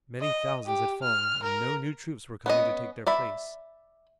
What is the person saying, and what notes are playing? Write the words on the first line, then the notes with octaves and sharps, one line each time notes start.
Many thousands had fallen, and no new troops were coming to take their place.
D#5
G4
F6
A#4
B3 C#4 D#5
D5 E5 B5